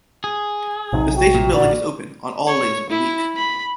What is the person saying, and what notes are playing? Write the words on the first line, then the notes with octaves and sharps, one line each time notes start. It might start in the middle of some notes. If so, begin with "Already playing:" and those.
The station building is open on all days of the week.
G#4
A#1 C3 F#3 D#4
F#4 G5
A#2
A1 D3 F#4 D5
C#5
E4
B5